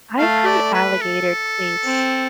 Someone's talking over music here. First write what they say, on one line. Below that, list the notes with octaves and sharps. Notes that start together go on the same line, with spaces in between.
I've heard alligator taste
A3 F5
D5
B4
A4
C4